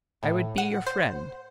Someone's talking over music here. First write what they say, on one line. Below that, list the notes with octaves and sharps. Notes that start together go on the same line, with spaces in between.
I would be your friend.
A2
F#5
C5